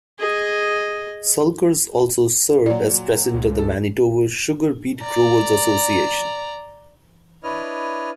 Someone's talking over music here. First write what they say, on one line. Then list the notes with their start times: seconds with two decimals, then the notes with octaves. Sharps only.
Sulkers also served as president of the Manitoba Sugar Beet Growers' Association.
0.20 G#4 D#5
2.66 A#2 F#3 D5
3.34 C#2
3.59 A4
5.00 D5 A#5
7.44 D4 E4 B4 C#5 D#5 F6